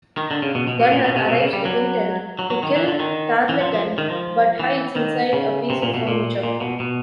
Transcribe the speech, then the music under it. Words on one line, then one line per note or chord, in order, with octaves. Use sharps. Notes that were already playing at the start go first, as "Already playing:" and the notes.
Gunner arrives with intent to kill Tarleton but hides inside a piece of furniture.
D#3
D3
C#3
B2
B2
B2
A#2
B2
C3
B2
C#3
G3
F#3
F#3
F#3
D#3
E3
D3
D#3
E3
F3
F3
D#3
F3
E3
D#3
C#3
C3
A#2
B2
A#2
A#2
B2
B2